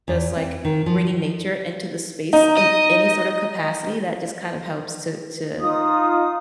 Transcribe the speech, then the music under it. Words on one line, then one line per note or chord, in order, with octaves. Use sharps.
just, like, bringing nature into the space in any sort of capacity that just kind of helps to to
E2
C4
D#3
F3
D#4
D#5
D#4 F4 D#6